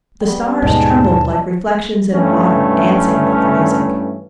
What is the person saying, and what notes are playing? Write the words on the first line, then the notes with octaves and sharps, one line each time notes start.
The stars trembled like reflections in water, dancing with the music.
G3 B3
D#2 G#2 B2 G#3 C#4 D#5 A5
G2 E3 A3 C#4